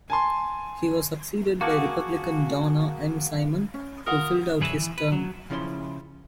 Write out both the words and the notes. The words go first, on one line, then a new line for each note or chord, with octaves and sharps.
He was succeeded by Republican Donna M. Simon, who filled out his term.
G#5 A5 C6
A#3 F#4 G#4 F#5 A5
C#4
F4 A#4 F#5 D#6
B1 F#2 G#4 B4 C#5 E5
E3
B4
F#3
C#3 F3 C#4 E4 C#5 C6